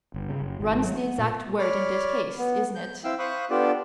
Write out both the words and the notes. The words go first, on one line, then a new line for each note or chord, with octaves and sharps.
Run's the exact word in this case, isn't it?
G1
C#3
F#1
G#1
F#3
B3
A#2
C#5 D5 B5 F6
B3
G6
C4 E4 F5 G5 E6
C5 F5 B5 C#6 D#6 F#6
B3 D4 F4 G4 A4 D5